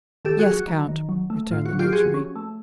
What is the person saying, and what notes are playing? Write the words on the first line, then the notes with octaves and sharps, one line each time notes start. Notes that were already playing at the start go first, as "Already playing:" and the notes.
"Yes, count," returned the notary.
D#3 G4 A4
F#4 G#4
F#3
F#4
D#3
D#3
F#3
A3
A2 F4
F#4
F#3
F4 G4
F3 F#4 G#4
C#4
A3